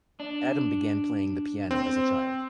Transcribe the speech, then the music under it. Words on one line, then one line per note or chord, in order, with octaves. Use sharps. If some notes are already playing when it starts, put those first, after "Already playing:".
Adam began playing the piano as a child.
D4
C4